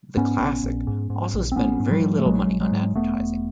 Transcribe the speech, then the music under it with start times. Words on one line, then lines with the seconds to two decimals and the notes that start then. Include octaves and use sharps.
The Classic also spent very little money on advertising.
0.17 G#2 B3 C#4
0.40 A#1
0.63 A#1
0.87 G#2
1.10 G#2
1.34 A#1
1.52 C4
1.56 A#1 B3 C#4
1.80 G#2
1.91 F3 G3
2.02 G#2
2.18 A3
2.26 A#1 F#3 G#3
2.50 A#1
2.60 F#3 G#3
2.72 G#2
2.95 E1 A3 B3
3.18 E1